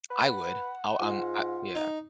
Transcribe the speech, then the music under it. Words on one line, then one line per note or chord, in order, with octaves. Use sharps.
I would. I'll, um, I yeah.
B4 F#5
G#2 F4
D#4